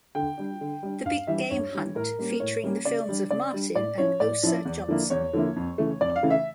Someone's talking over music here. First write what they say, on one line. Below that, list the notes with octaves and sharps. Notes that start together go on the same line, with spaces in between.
"The Big Game Hunt" featuring the films of Martin and Osa Johnson.
D3 G5
G3 D4
D3
G3 D4
G2 F5
E3 G3 D4 E5
G2 C#5
E3 G3 D4
A2 A#4
G3 A#3 C#4
A2 C#5
G3 A#3 C#4
C#3 D5
G3 D4
C#3 D5
G3 D4
A2 D5
F3 C#4 E4 C#5
A2 D5
F3 C#4 E4
E2
D3 F3 A#3 E4
E2 C#5
D3 F3 A#3 E4
F2
C#3 E3 A3
F2 D5
F5
C#3 E3 A3
E5